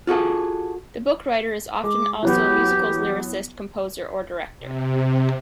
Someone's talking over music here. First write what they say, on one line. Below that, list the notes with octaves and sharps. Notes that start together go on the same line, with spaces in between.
The bookwriter is often also the musical's lyricist, composer, or director.
F4 F#4 G#4 A4
G#3 D6
E3 F#3 B3 G4
C3